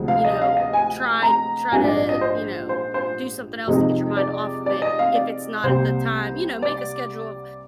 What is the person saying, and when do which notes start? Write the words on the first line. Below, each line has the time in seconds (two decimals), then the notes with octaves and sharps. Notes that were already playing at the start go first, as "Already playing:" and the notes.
you know, try try to, you know, do something else to get your mind off of it, if it's not at the time you know, make a schedule of,
Already playing: D2 C3 F3 G#3
0.08 F5
0.25 D#5
0.41 F5
0.57 D#5
0.73 G#5
1.22 A#5
1.72 A#1 G#2 G3 D4 G#5
1.84 D5
1.97 D5
2.09 D#5
2.21 C5
2.69 C5
2.94 C5
3.67 F2 C3 F3 G#3 D#4
4.17 D5
4.66 D5
4.82 D#5
4.99 F5
5.15 D5
5.63 C2 C3 G3 A#3 C5
6.62 D5